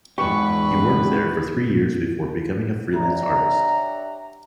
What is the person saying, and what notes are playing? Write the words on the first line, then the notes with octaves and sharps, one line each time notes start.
He worked there for three years before becoming a freelance artist.
E2 G#2 B2 G4 B4 C#6
D4 G4 C#5 E5 F#5 A#5